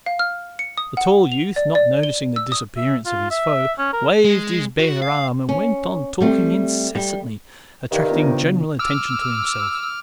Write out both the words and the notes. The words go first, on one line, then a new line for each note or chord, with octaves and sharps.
The tall youth, not noticing the disappearance of his foe, waved his bare arm and went on talking incessantly, attracting general attention to himself.
F5
F6
C#7
D#6
F#5
F7
D5
D5
G7
E6
D#6
E5
F4
E5
C#4
A#4
G#3
F#4
F5
C#4
G3 A3 C4
G3
G2 C3 D#3 D5 F5
B3 D4 F4
C#3
D6 E6 F6